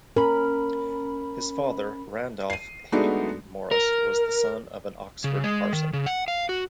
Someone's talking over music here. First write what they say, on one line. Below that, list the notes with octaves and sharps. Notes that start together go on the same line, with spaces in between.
His father Randolph Hayton Morris was the son of an Oxford parson.
C#4 A#4 B5
C7 D#7
G#3 A3 B3 D4 D#4 F#4
A#4
C#3
G#3
D#3
C#3
F#5
F5
F#4